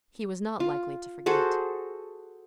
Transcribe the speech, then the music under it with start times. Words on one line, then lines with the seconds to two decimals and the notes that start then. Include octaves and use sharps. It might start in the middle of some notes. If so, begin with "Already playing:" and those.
He was not likely to forget.
0.60 F4
1.26 F#4 G#4 A4 C5